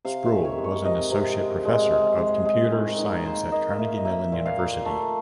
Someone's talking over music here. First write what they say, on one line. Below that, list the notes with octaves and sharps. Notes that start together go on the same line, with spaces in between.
Sproull was an Associate Professor of Computer Science at Carnegie Mellon University.
C3 F5
E5
D#3
C#5
G#3
C#5
C3 D#5
C3
G#3
G#3
G#3
G#3
G#3
D#3
D#3
A#3 C5
A#3 D#5
A#3 E5
D#5
A#3 E5
A#2
F5
A#3
A3